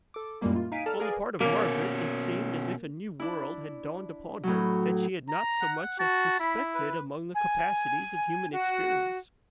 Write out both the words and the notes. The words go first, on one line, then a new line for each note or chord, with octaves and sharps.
On the part of Margaret, it seemed as if a new world had dawned upon her that she had not so much as suspected among the capacities of human experience.
A4 D6
F#2 A#2 G3 G#3 A#3 E4
F4
D#4 F5 G#5 B6 D7 D#7
A4 D5 A5 A#5 F6
G#4 A#4 B4 D5 F5 G#5
B2 A#3 C#4
D4 E4
A2 F#3
A#5
F#5
F#4 A5
E4 B5
B4
G#5
F#4